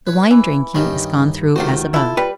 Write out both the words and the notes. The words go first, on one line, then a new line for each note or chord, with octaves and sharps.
The wine-drinking is gone through as above.
B4 C#5
E3
G2 D#3 C#4 D#4 G4
C#2 D#3 A3 F#4 G4 C5
E4 F4 A4
G3 B4